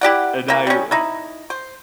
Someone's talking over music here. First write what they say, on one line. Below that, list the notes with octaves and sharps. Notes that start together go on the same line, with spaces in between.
and now you're
E4 G4 D5 F#5
E3 A#3
G3 C#4
D#4 E4
C5